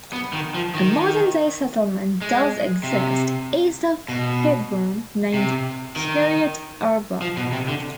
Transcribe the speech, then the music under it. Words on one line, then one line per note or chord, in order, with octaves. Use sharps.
A modern-day settlement does exist east of Hebron named Kiryat Arba.
B3
D#3
F3
D#3
G#3
C3
B2
C3
D#3
F3
B2
C3
D3